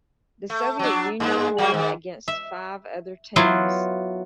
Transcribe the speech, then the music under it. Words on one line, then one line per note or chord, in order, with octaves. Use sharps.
The Soviet Union won against five other teams.
A3
F#3 D4
G2 G#3
F#3 G3 A#3
G#2 D#3
E5
F#3 B3 E4 F4